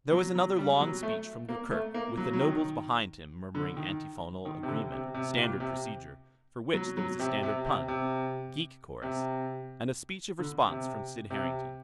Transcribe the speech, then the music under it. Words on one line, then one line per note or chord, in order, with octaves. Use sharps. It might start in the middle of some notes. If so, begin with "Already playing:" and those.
There was another long speech from Gurgurk, with the nobles behind him murmuring antiphonal agreement--standard procedure, for which there was a standard pun, geek chorus--and a speech of response from Sid Harrington.
F#3
F#3
G3
F#3
A3
A#3
A3
A#3
F#3
F#3
D#3
D3
D#3
D#3
C3
D3
C3
C3
A#2
C3
F#3
F#3
C3
C3
C3
C3
C3
D3
C3
C3